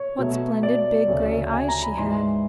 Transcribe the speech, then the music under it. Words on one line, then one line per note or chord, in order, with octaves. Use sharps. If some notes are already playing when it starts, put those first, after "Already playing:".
What splendid big grey eyes she had!
Already playing: C#5
B2 F#3 A3
D5
D2 C#3 F#3 A3 C#4
G#5
A#5
B5
G#2 E3 G#3 C6